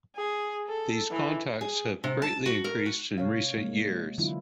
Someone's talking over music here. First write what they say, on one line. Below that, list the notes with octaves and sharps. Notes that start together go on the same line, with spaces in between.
These contacts have greatly increased in recent years.
G#4
A4
E3
G#4
C3
A5
F#4
A#4
F#4
C3 C#5 F5
G#3 A#3
D3 E3 F#3 D4 E4 F4